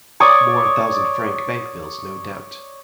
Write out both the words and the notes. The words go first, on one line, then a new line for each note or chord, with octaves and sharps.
More thousand-franc bank-bills, no doubt!
C#5 D5 C#6 D#6